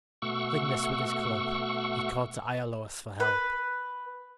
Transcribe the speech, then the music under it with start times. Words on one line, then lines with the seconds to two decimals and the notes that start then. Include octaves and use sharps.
Killing this with his club, he called to Iolaus for help.
0.22 B2 A3 F#5 C#6 E6
3.20 B4